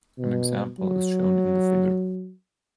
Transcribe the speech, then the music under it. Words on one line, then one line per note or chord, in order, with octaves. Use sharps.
An example is shown in the figure.
B2
F#3